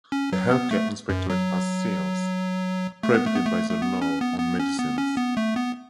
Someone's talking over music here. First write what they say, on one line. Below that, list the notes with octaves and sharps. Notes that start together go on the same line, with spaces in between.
The Healthcare Inspectorate has sales prohibited by the Law on Medicines.
C#4
F#3
B3
A3
F#2
F#3
A3
B3
A3
B3
A3
A3
B3
C#4
B3
B3
C#4
B3
C#4
B3
A3
B3